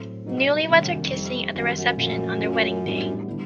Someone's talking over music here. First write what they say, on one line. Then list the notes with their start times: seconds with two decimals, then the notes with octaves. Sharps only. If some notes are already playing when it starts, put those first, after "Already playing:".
Newlyweds are kissing at the reception on their wedding day.
Already playing: A2 F#3 A3 C4
0.25 G#2 B2 F#3 A#3 D#4
0.47 G2
0.68 G#2 C3 D#3 G3 A#3 D4
0.79 A2
0.89 F#2
1.01 F2
1.12 G3 C4 D#4
1.54 F#2 D#3 G3 B3
1.76 F#2
1.97 F#2 A#2 F3 A3
2.40 F#3 A3 C#4 F4 A#4
2.84 A2 E3 G3 B3 D4
3.26 D3 G3 B3 E4